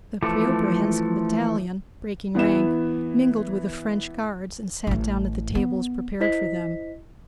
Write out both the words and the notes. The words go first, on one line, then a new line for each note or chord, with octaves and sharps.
The Preobrazhensk battalion, breaking rank, mingled with the French Guards and sat down at the tables prepared for them.
E3 F3 A3 A4 D6
E3 B3 E4 E7
A1 A2
B3
E4 C5 D#5 B6